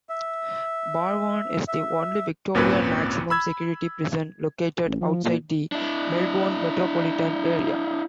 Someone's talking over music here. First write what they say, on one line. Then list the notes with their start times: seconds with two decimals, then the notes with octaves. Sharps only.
Barwon is the only Victorian maximum security prison located outside the Melbourne metropolitan area.
0.09 E5
1.68 E5
2.54 G#1 D#2 A#2 C4 C#4 B4
3.30 B5 E6 G#6
4.87 A1
5.01 F3
5.24 A#2
5.72 D4 E4